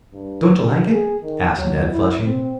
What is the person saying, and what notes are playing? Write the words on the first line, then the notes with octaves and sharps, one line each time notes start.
"Don't you like it?" asked Ned, flushing.
G2
G2
G#4
D#3
F#3
E4
C4